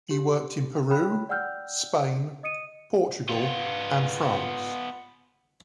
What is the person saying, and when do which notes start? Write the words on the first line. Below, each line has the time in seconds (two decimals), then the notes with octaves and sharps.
He worked in Peru, Spain, Portugal and France.
0.08 G4 F#7
0.90 C#5 G5 B5 F#6
1.29 D5 F#5 G5 E6 F6 G6
2.43 D#5 D#6 C#7 D#7
3.29 B3 F4